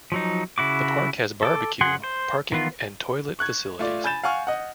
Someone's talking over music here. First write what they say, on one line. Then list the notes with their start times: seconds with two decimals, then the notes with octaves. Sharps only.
The park has barbeque, parking and toilet facilities.
0.12 F3 F#3 D#4
0.58 C#3 E4 F#4 D6
1.43 A4 D6
1.81 C#3 G#4 F#5 C6
2.04 C5
2.52 D#3 E3 B3 F4
3.39 C#6 F#6 G#6
3.79 A3 F4 D5
4.04 G#5 B5 G6 A6 E7
4.24 F5 F#5 G#5 C#6 F6
4.47 D#5 F#5